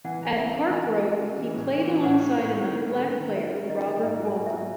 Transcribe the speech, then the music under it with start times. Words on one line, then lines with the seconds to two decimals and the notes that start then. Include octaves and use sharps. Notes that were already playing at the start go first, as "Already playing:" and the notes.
At Parkgrove he played alongside another black player, Robert Walker.
0.04 E3 F#5
0.21 E3
0.37 C4 E5
0.54 C4
0.70 E3 G#5
0.88 C4
1.05 F#4
1.21 C#3
1.38 E3
1.54 A2
1.71 E3
1.88 E3
2.03 A2 F#5
2.20 A2
2.37 A2
2.53 C4
2.70 D#3
2.86 A3
3.04 D#3
3.20 D#3
3.36 D#3 E5
3.53 C#4
3.69 D#3 D#5
3.87 D#3
4.02 G#2 E5
4.19 F#3
4.25 G#5
4.36 G#2
4.46 E5
4.53 F#3